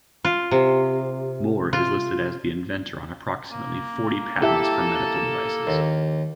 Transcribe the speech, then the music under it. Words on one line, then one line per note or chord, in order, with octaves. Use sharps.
Mohr is listed as the inventor on approximately forty patents for medical devices.
F4
C3
F4
A#3
E4 G4 A4 E5 A5
D#2